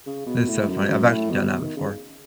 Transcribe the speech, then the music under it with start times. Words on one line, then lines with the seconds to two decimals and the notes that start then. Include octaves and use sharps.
That's so funny, I've actually done that before.
0.06 C#3
0.27 B2
0.48 A2
0.68 F#2
0.89 F#2
1.10 A2
1.30 B2
1.47 B2
1.62 D#3
1.77 C#3